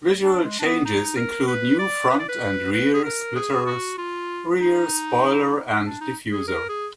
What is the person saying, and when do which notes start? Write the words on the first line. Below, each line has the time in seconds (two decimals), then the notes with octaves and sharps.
Visual changes include new front and rear splitters, rear spoiler and diffuser.
0.23 D4
0.44 G#3
0.59 D4
0.65 B3
0.85 D#4
1.17 A#4
1.47 B4
1.79 D5
2.10 B4
2.19 D5
2.29 B4
2.72 B4
2.94 G#4
3.04 A#4
3.36 G#4
3.66 F#4
3.98 F4
4.61 D#4
5.85 D4
6.01 D#4
6.32 G#4
6.48 A#4
6.69 G#4